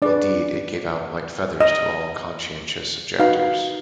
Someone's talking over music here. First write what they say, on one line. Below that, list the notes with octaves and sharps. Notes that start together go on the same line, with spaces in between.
Indeed, it gave out white feathers to all conscientious objectors.
D4 G#4 B4 D5
D#5
D#4 F#4 B4 F5